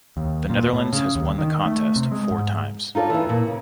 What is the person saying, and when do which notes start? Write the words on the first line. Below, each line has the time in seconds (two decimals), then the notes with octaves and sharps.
The Netherlands has won the contest four times.
0.17 D#2
0.50 A#2
0.73 A2
0.93 C#3
1.15 D#2
1.39 D#3
1.66 A3
1.96 C3
2.12 G#3
2.31 G#2
2.95 D#4 F4 A4 C5 D5
3.10 E2 E3
3.29 A#2
3.47 C#3